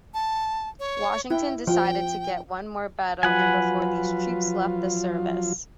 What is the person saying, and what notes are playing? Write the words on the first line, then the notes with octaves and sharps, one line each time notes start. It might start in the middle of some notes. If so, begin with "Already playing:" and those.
Washington decided to get one more battle in before these troops left the service.
A5
C#5
E4 G5
F3 G5
F3 F#3 F4 B4 F#5 G#5